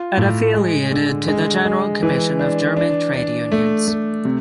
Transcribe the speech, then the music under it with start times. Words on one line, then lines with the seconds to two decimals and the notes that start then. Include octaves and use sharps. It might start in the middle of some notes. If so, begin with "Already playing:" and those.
It affiliated to the General Commission of German Trade Unions.
Already playing: F4
0.17 A2
0.54 G#3
0.92 D3
1.28 G#3
1.65 G#3
2.03 E3
2.39 D4
2.77 D4
3.14 D4
3.52 A3
3.88 A3
4.25 C3